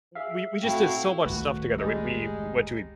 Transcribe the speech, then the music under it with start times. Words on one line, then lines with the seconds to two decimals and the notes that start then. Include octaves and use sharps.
w we we just did so much stuff together. We we went to, eh,
0.15 G#4 E5 F5
0.62 A2 A3 C4 E4 F#4 F5 G5
1.25 F#1 C#2 A2 D#3 A3 F#4 B4
1.78 G3 G#3 D#4